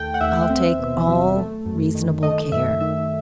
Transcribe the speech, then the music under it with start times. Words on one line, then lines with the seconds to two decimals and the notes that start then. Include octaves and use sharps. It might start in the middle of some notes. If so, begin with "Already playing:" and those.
"I'll take all reasonable care."
Already playing: D#2 A3 G5
0.14 F#5
0.20 D#2 E5
0.50 C4
0.79 B2
1.08 F#3
1.36 A3
1.66 F#2
1.95 D#3
2.23 A3 D#5
2.52 F#2 E5
2.81 D#3 E5